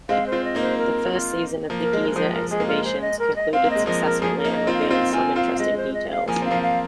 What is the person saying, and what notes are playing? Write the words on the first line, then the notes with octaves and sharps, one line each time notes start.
The first season of the Gezer excavations concluded successfully and revealed some interesting details.
G#3 C4 F5
C5
C4 F4
D#5
A#3 D#4
C5
A#4
F4
F3 A#3
A#4
G#3
G#3
A#4
F3 C5
A#4
G#3 G#4
A#3
G#3 F4
G#3 C5
D#5
A#4
D#5
C4 F5
A#3
G#3 D#5
F3 A#3 D#5
A#4
F3 A#3 G#4
A#4
A#3 D#4
C5
D#5
C4 F4
F5
D#4
C4 F4 F5
C4 F4 G#5
C4 F4 F5
F5
G#3 D#5
C5
D#5
F5
F3 A#3 G#5
C4 F5
F3 A#3
F5